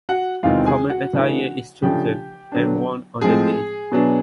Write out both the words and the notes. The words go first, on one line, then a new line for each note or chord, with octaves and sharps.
Common attire is chosen and worn on the day.
F#4 F#5
E2 C3 D#3 G#3 C4 F4 F5
G#4 G#5
F#4 F#5
C#3 E3 A3 D4
C#3 F3 A3 D4 G4 G5
D3 F#3 B3 D4
A2 F3 G#3 C4 G#4 G#5
B2 F#3 B3 D4